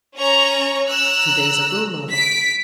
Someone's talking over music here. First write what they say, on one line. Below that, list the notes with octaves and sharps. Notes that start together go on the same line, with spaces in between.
"Two days ago, mother."
C#4 C#5 A#5 C#6
A#5 E6 F#6
B6 D7